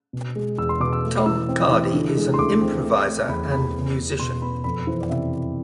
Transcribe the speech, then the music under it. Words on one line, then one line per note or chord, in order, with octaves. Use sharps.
Tom Cardy is an improviser and musician.
B2
G#3
E2 E6
C6
B2 D6
E6
A3
E3 E6
C4
E3
D3
G#3
C6
D2 D6
C4
A3
A3
E2 B5
E2 B5
B3
B3
B2 C6
B3 B5
F2 B5
E3 C5
D5
C3 E5